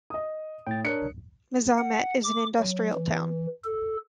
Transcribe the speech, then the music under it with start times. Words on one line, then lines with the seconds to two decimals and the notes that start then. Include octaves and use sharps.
Mazamet is an industrial town.
0.10 D#5 D#6
0.67 A2 G5 A6
0.85 D4 A#4 C#5 F#6 C#7
1.78 F#5
2.24 D6
2.59 F#3
2.94 E3
3.65 A4